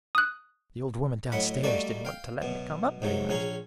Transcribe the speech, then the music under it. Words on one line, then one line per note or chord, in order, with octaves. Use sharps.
The old woman downstairs did n't want to let me come up very much.
D#6 F#6
A2 F#3 D#5 F#5 B5
G3 A3 A#3 F#4 D5 D#5
F5 G5
F#2 B2
G#2 C3 F#3
A#1 C#4 G#4 A#5